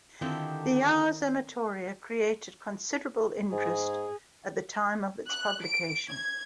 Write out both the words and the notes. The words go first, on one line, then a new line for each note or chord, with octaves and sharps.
The "Ars Amatoria" created considerable interest at the time of its publication.
D3 D#3 C4 E4 F4 G4 A4
G#2 G#4
F#6
D7
G#6